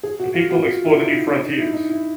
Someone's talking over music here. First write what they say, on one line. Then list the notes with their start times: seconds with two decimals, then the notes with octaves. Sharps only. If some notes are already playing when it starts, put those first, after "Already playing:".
The people explore the new frontiers.
0.03 G#4
0.20 F#4
0.34 F4
0.51 F#4
0.65 F4
0.85 E4
1.07 D#4
1.27 D4
1.42 D#4
1.58 E4
1.73 D#4
1.90 E4